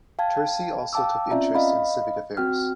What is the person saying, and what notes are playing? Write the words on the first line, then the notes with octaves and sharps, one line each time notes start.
Tursi also took interest in civic affairs.
F5 G5 A5 G#6
F5 G5 A5 D6 E6
C4 C#4 F4 D5 E5 A#5
D#5 F5 B5
C4 F#4 G5 F6